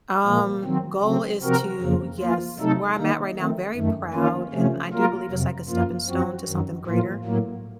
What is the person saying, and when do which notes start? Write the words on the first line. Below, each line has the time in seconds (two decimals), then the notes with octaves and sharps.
Um, goal is to yes. Where I'm at right now, I'm very proud, and I do believe it's like a stepping stone to something greater.
0.25 A#2 F3 A#3
0.64 D#3 F#3 C4
1.02 C#3 F#3 C4
1.42 C3 F3 C4 F#4 A#4
1.81 F2 C#3 F3 A#3
2.20 F3 A#3 F4
2.59 C3 F#3 A3 D#4 A4
2.97 D#3 A#3 D#4
3.36 D#3 A3 C4
3.75 F#2 D#3 A3
4.14 D#3 A#3 C#4 F4
4.53 C3 F3 A3 C#4
4.92 F#3 A#3 F4 A#4
5.31 F2 C3 F#3
5.69 F#2 F3 A#3 F4
6.08 F#2 F3 C4 F#4
6.47 F#2 D#3 F#3
6.86 A2 F3 A#3 F4
7.25 A2 F#3 A#3